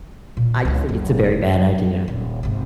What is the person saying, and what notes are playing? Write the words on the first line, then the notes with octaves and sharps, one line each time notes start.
I just think it's a very bad idea.
A#2
C#2 E4
F#1
F#3
D#1
G#1 C3